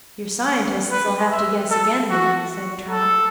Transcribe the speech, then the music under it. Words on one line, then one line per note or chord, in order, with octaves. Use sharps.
"Your scientists'll have to guess again, then," said Trot.
B4
E5
A4
F#4
A4